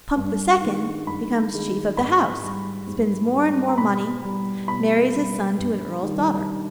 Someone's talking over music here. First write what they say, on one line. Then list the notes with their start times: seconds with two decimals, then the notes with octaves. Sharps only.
Pump the Second becomes chief of the house, spins more and more money, marries his son to an Earl's daughter.
0.17 G2
0.62 D#3 G#3
1.07 G2 B5
1.52 D#3 G#3
1.97 G#2 B5
2.42 G3
2.87 G#2
3.32 G3
3.68 A#5
3.78 B2 B5
4.22 G3
4.68 B2 B5
5.12 G3
5.58 G2
6.03 D#3 G3